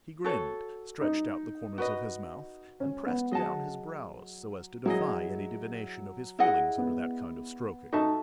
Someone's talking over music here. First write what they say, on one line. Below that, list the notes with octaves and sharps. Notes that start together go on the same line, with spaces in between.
He grinned, stretched out the corners of his mouth, and pressed down his brows, so as to defy any divination of his feelings under that kind of stroking.
F#4 A4 C#5
D#4
F#4 B4 D#5
C#4
B3
F#3 G#4 D#5 F#5 A5
F#3 E4 G#4 D#5
E4 G#4 D#5 F#5
B3
D#4 F#4 A4 E5 A5